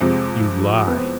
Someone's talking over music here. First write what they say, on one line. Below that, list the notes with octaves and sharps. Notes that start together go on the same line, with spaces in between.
"You lie!"
F2 C3 F3 G#3 C4
B3
C4